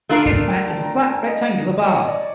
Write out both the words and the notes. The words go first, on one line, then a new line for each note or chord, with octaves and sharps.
Kismet is a flat, rectangular bar.
A3 D4 F4 A#4
G5
A5
A#5
G#5
G#5
D#5
C#5
D5